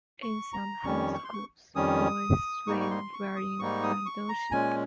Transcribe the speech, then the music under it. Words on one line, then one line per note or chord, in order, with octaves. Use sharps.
In some high schools, boys swim wearing fundoshi.
C#6
A#5
F2 D#3 G3 C#4 C#6
C#6
C6
C#6
F2 D#3 G3 C#4 D#6
G#2 G3 A#3 D#4 C#6
C#6
C6
C#6
D#6
G#2 G3 A#3 D#4 C#6
D#6
C#6
A#5
A#2 G#3 C#4 G#5